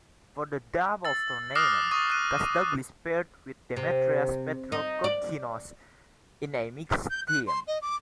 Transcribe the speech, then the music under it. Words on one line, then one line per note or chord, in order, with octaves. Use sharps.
For the doubles tournament, Kasdaglis paired with Demetrios Petrokokkinos in a mixed team.
E6 A6
D6 D#6 F6 F#6 A#6 C7
C#6 D#6 A6
F#6 D#7
C3
D#4
D5
G6
F#6
C6
D#5
D6